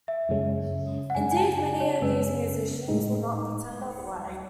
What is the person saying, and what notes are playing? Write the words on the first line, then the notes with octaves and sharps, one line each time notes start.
Indeed, many of these musicians would not pretend otherwise.
E5
F#2 C#3 G#3 C#4
F#5
F#2 C#3 G#3 C#4 G#5
G#5
A5
G#5
C#5
F#2 C#3 G#3 C#4 B4
A2 G#3 D#4